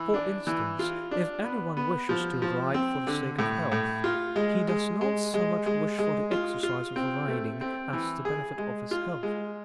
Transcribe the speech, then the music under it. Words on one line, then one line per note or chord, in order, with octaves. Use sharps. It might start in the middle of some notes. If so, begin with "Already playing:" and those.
For instance, if anyone wishes to ride for the sake of health, he does not so much wish for the exercise of riding as the benefit of his health.
Already playing: E3
D4
E3
F4
D4
B3
B3
F3
F3
C4
D3
A2
A2
F4
G#3
G#3
G#3
G#3
G#3
G#3
F4
F4
C4
A3
C4
E3
G#4
G#3
F4
G#3